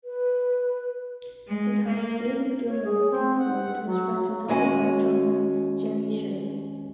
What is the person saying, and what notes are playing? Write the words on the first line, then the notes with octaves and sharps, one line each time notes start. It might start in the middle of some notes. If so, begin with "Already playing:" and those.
Guitarist David Gilmour of Pink Floyd was friends with Humble Pie drummer Jerry Shirley.
B4
G#3
A#3
C#5
G#4
C4
F#5
F#3
D#2 G#3 C#4 F#4 F#5 G#5